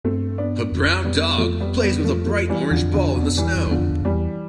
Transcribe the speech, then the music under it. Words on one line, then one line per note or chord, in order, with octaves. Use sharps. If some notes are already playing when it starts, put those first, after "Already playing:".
A brown dog plays with a bright orange ball in the snow.
G2 A3 C4
B3 D4
F2
G3 B3
F3 A3
G3 B3
G3 B3
F3 A3
F3 A3
E3 G3
E2 D3 F3
F2
E2 D3 F3
F2
E2 B2 D3
F2
E3 G3
E2
F2
E2 D3 F3
F2
E2
F2 E3 G3
E2